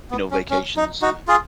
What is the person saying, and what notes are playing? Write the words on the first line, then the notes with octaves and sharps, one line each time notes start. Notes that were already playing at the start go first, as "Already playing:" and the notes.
you know, vacations, and
B3
C#4
C#4
D#4
D#4 F#4
F4 G#4